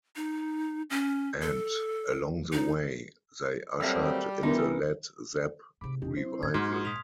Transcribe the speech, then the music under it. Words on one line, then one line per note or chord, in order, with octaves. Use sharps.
And, along the way, they ushered in the Led Zep revival.
D#4
C#4
A4
D#4
F#3 G3 A3 A#3 C4
E3 B3 D4 D#4 A#4
G#2 C3 B5 D6
E2 B2 D#4 G4
F#3 C4 E4 C5
A2 C4 C#4 G#6
G#2 F3 D#4 F#4 C6 F6
A#2 D#6 B6 F7